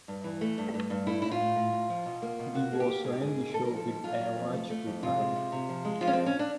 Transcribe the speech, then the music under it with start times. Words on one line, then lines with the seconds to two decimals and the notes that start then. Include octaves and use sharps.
The boss ran the show with a watchful eye.
0.08 G2
0.24 E3
0.41 A3
0.58 G2
0.74 G2
0.90 G2
1.07 A3 E4
1.22 A2 E4
1.31 F4
1.40 A2
1.56 A2
1.72 A2
1.90 F3
2.06 B2
2.22 A#3
2.39 B2
2.55 A#3 F#4
2.72 A#3 G#4
2.80 G4
2.88 A#3
3.04 G#2 G#4
3.13 G4
3.21 G#2 G#4
3.38 A#3
3.54 G#2 A4
3.65 A#4
3.71 F3
3.76 A4
3.87 G#2
4.04 F#3 F4
4.20 F#3
4.37 F2
4.53 A3
4.70 A3
4.86 F2
5.03 C3 F4
5.19 G#3
5.36 C3
5.52 C3
5.69 F3
5.85 G#3
6.01 F3 F4
6.07 C#4
6.13 F2 C4
6.26 C#4
6.39 D4